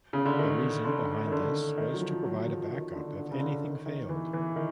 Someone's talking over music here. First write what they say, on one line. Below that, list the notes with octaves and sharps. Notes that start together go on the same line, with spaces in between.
The reason behind this was to provide a back-up if anything failed.
C#3
D3
D#3
D3
D#3
D3
D#3
F#3
F3
F#3
F3
D#3
D3
D3
C#3
D3
D#3
D#3
E3
E3
D#3